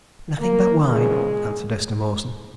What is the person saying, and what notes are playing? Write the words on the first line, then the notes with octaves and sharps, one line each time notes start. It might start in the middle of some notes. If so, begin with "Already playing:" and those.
"Nothing but wine," answered Esther Mawson.
A#3 A#4
E2 C#3 F3 G#3 G#4